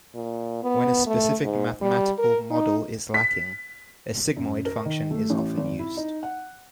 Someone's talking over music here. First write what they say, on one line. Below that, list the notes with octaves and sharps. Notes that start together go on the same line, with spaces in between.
When a specific mathematical model is lacking, a sigmoid function is often used.
A#2
B3
A3
G#2
G3
A#4
D#4
B6
F#2
A#4
D#3
A3
A1
G#1
E4
D#4
F#5